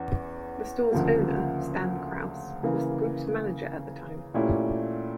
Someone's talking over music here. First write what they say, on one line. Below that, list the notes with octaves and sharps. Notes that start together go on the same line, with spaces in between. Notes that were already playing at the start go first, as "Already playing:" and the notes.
The store's owner, Stan Krause, was the group's manager at the time.
Already playing: E2 E3 C#4
D2 C#3 F3 A#3
C#3 E3 A#3
A#2 A3 C#4 E4 G4